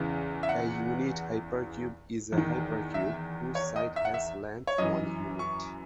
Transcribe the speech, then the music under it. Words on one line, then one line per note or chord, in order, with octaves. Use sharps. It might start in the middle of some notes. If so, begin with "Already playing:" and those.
A unit hypercube is a hypercube whose side has length one unit.
Already playing: E2 C#3 E3
E5
F#5
E2
D#3
E5
C#5
D#5
E5
F#5
E5
C#5
F#2 E3 D#5
C#6